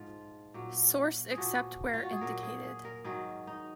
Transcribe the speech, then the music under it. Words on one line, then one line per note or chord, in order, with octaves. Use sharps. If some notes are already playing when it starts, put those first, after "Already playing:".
Source except where indicated.
Already playing: G#2 F3 F4
A#2 F#3
G#4
A#2 F3 F#4
F4
F#4
G#4
A#2 F#3 A#4
G#4
G#4
A#4
G#2 D#3 F#3 G#4
D#4